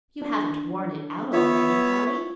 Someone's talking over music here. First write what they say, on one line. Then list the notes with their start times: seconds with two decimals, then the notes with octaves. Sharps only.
"You haven't worn it out already, Polly?"
0.22 D4
0.79 D4
1.33 B3 F4 C#5 E5